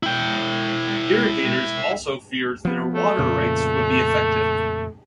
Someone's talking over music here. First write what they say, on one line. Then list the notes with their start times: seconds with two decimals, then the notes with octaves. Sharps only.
Irrigators also feared their water rights would be affected.
0.03 E4 G5
2.65 F3 B3
2.94 A3
3.19 F2 A#2 C#3